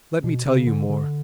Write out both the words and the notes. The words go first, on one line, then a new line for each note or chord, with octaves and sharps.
Let me tell you more.
B2
C#3
D3
D3